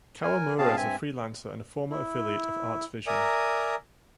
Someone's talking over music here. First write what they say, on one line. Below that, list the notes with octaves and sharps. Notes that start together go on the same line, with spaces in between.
Kawamura is a freelancer and a former affiliate of Arts Vision.
A#4 G#5
B2 C4 C#4 G#4 F5 A5
G2 C4 E5 G#5
E4
A#4 D5 E5 G#5 A#5 D#6